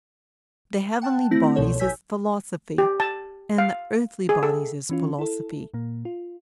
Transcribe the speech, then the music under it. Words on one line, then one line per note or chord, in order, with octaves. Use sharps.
The heavenly bodies is philosophy, and the earthly bodies is philosophy.
F#5 G5 A5 F#6
A3 C4 E4 A#6
C2 B2 F3 A4 C#5
A1 C#5 G#5 E6 G6 B6
G4
A5
F5
G#4
A4
E3 C#4 F4
E4 A4
A#2 A#3
F4